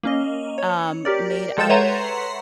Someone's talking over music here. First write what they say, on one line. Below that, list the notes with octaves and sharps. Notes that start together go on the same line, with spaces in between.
Um, made out
A#3 C#4 D#5
C#5
G4 A#4 D5
G#3 A4 G5 G6 A6 E7
B4 C#5 E5 F#5 A#5 C6